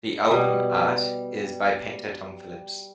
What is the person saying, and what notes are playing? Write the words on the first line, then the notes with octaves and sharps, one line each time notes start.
The album art is by painter Tom Phillips.
B2 G3